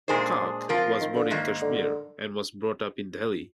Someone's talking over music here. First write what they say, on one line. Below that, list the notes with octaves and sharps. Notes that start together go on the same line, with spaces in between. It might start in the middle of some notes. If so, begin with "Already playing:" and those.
Kak was born in Kashmir and was brought up in Delhi.
A#2 D#3 G#3 D4 G#4 C5
F3 C4 F4 A#4
D#3
D3
G#2 D#3 A#3
D3